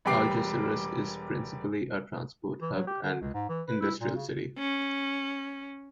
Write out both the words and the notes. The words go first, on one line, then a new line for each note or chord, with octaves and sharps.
Algeciras is principally a transport hub and industrial city.
E1 G3 B4 G5 D6 C7
E3
F#3
G4
D3
C#2
G#2
E3
B4
E4
A#2
C#3
C#4